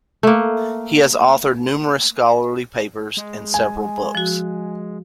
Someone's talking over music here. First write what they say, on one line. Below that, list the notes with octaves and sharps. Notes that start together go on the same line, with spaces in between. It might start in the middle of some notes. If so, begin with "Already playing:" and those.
He has authored numerous scholarly papers and several books.
A3 A#3
G#3
G#5
F3 F#4